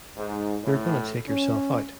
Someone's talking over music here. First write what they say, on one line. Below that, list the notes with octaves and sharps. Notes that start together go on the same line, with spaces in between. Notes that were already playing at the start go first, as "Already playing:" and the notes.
You're gonna take yourself out.
G#2
A2
C#4